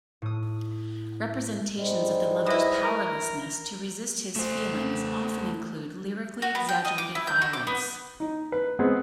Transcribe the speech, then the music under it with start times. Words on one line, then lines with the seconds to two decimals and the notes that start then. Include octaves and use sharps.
Representations of the lover's powerlessness to resist his feelings often include lyrically exaggerated violence.
0.22 A2 D#6
1.75 G#2 G3 G#3
2.46 E3 E4 D#5
2.84 A#4
4.36 A3 C5
6.42 F#4
6.55 B3
6.68 G5
6.85 D#5
6.98 D6
7.15 E4
7.27 G6
7.42 F#4
7.53 D6
7.67 B3
8.20 D#4
8.52 B4
8.79 G#3 B3 C4 G#4